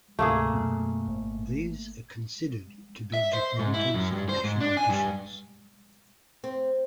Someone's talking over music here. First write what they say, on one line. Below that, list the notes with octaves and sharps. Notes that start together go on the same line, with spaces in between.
These are considered to be Gibraltar's national dishes.
D2 G#2 C3 A3 A#3 G#4
F#2 B2
G#1
E5
C5
G#2
E4
F#2
G2
C5
G#2
D4
G#5
G2
C4